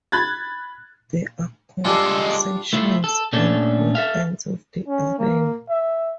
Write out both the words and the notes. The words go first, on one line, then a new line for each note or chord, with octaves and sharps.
There are concessions on both ends of the arena.
B5 F#6 G#6 A6
G3 G#3 D4 F4 A4
A3 E4 F4
A4
A#2 A3 C#4 D4 A4 D5
A4 E5 F5
C#4
A#3
E5